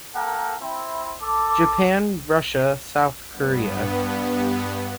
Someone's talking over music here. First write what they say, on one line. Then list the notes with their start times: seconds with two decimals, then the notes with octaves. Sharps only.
Japan, Russia, South Korea.
0.15 A#3 A4 A#4 F#5 G5
0.60 C4 E4
1.21 A4 D6
3.31 G2 B3